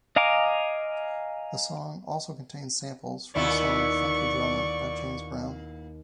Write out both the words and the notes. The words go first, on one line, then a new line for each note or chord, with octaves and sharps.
The song also contains samples from the song "Funky Drummer" by James Brown.
D#5 F5 G#5 A#5 D6
D#2 A#2 B3 E4 D5 C#6